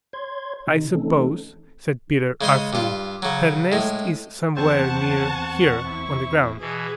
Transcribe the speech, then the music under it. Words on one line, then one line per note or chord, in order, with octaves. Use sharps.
"I suppose," said Peter artfully, "her nest is somewhere near here on the ground."
C#5 C6 G#6
C3 D#3 D#4
E3 A3 C4 C#4 D#4 A4
C#3 G#3 D#5 C6
G2 F4
C#3 F#3
A2 G#3
E2 C4 C5 F#5 A5 C#6
E4
B2 E3 G#4